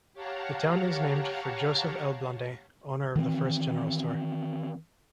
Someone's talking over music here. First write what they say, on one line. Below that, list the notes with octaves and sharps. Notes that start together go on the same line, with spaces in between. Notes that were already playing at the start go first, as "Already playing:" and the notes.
The town is named for Joseph L. Blandin, owner of the first general store.
G4 C#5 F5 F#5 A5 A#5
D#3 E3 A3 C4